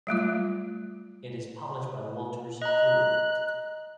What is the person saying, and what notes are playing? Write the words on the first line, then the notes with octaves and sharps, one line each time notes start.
It is published by Wolters Kluwer.
F#3 G3 A3 F4
D#5 A#5 F#6